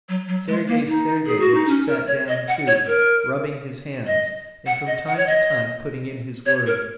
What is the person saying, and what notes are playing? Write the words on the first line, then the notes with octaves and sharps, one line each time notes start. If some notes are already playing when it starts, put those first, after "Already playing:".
Sergey Sergeyitch sat down too, rubbing his hands, and from time to time putting in his word.
F#3
F#3
G#3
A#3
D#4
G#4
F#4
D#4
C#4
A#4
C#5
D#5
F#5
C#5
A#4
D#5
F#5
D#5
F#5
C#5
D#5
C#5
A#4